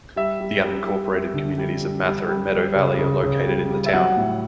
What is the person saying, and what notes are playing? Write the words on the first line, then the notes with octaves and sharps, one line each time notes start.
The unincorporated communities of Mather and Meadow Valley are located in the town.
G3 E5
G3
G3
G3
G3
D3
G3
G3
G3
G3
G3
C#3
C#3
C#3
G3
G3
E5
F#3 F#5
A2